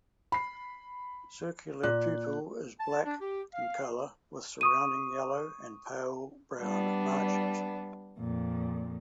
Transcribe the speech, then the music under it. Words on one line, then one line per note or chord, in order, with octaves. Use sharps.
Circular pupil is black in color with surrounding yellow and pale brown margins.
B5 C7
A#2 F#6
A5
D4
G4
F5
C#6 D#6 D#7
G3 B3 D4
F2 A#2